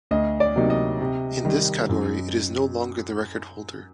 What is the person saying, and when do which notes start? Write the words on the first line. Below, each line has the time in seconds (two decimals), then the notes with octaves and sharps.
In this category it is no longer the record-holder.
0.11 D2 D#5
0.40 D5
0.56 C3 F#3 A#3 D#4
0.70 D#5
1.01 C3
1.45 D#3 G3
1.89 F#2